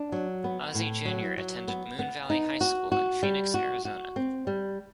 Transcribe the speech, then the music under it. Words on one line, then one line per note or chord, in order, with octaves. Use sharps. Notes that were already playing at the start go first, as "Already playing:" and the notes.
Ozzie Junior attended Moon Valley High School in Phoenix, Arizona.
Already playing: D4
F#3
B3
A2
F#3
F#3
B3
B3
D#4
F#4
F#4
G3
F#4
F#4
C4
G3